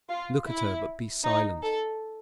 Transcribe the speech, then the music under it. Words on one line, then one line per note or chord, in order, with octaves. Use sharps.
Look at her, but be silent.
F4
E4
D#4
A4